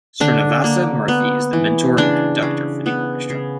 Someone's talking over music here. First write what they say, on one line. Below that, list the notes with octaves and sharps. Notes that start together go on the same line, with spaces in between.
Srinivasa Murthy is the mentor and conductor for the orchestra.
D3 D4
A#3
B3
E3
C#3 D4
C#3
B3
C#3